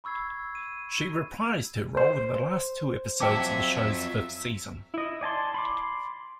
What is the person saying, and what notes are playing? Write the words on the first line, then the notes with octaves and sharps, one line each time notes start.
She reprised her role in the last two episodes of the show's fifth season.
B5 C#6 E6 G#6 C7
D#7
C5 C6
F#3 C4 F4 E5 G5 A5 D6
E4 D#5
D5 G#5 A5 C6
B5 C6 D6